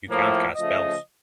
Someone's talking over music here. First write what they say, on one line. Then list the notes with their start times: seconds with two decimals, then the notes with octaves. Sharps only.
You can’t cast spells.
0.09 A2 F3 A#3
0.56 C#3 F3 A3 D#5